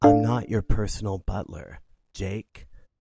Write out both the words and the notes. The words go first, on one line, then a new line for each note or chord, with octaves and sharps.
I'm not your personal butler, Jake.
D4 A4 D5 F5